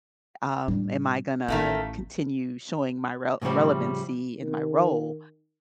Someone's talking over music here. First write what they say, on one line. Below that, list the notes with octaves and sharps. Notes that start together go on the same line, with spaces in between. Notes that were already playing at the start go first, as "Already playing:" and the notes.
um, am I gonna continue showing my rel relevancy in my role
A2 G3 D4
A1 D#3 A3 A#3
A2 C#3 E3 F3 G3
D#3